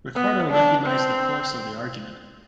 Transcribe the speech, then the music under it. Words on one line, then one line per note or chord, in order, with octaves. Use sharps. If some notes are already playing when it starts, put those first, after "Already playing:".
Ricardo recognised the force of the argument.
B3
D4
C4